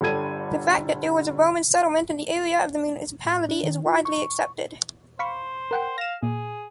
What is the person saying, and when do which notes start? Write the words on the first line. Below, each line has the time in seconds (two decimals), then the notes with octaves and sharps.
The fact that there was a Roman settlement in the area of the municipality is widely accepted.
0.01 G1 D3 G3 A4 G#6 D#7
3.25 A2
3.49 D4
3.63 D#3
3.86 F4
4.05 C#6
5.19 C5 F5 B5 C#6
5.71 A#4 F#5 G5
5.98 F5 A#6 E7
6.23 A#2 G#4